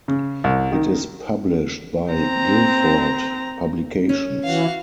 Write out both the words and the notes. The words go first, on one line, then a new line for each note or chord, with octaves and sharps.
It is published by Guilford Publications.
C#3
C2
D#3
C4 A#5
C#4
E3 F#4 F5